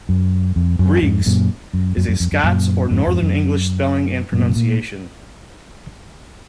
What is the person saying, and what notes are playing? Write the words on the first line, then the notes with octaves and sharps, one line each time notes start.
"Breeks" is a Scots or northern English spelling and pronunciation.
F#2
F2
F#2
F2 G#2
F#2 A#2
F#2
F#2
F#2
F2
F#2
F#2 A#2
F2 G#2
F2 G#2
F#2
F#2 A#2
B2
A#2